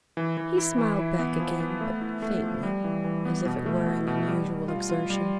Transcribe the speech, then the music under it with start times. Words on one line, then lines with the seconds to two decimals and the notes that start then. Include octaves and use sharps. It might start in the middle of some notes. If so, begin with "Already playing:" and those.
He smiled back again, but faintly, as if it were an unusual exertion.
0.17 E3
0.37 E3
0.58 E4
0.78 E3
0.99 E4
1.19 B3
1.40 F3
1.60 B3
1.81 A3
2.01 E4
2.22 A3
2.43 F3
2.63 G3
2.84 E3
3.04 E3
3.25 B3
3.45 B2
3.66 A3
3.86 B2
4.07 B2
4.27 G3
4.48 G3
4.68 F4
4.90 F4
5.10 G3